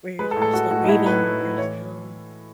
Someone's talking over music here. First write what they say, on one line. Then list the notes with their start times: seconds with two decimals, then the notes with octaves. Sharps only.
we're s we're still grieving, we're still,
0.19 G#3 B4
0.31 A4
0.36 A2
0.42 A4
0.53 G#3 F#4
0.71 A2 F#4
0.84 D#4
0.88 A2 E4
1.06 A2 B4
1.23 A2
1.40 A2
1.58 E3 C#5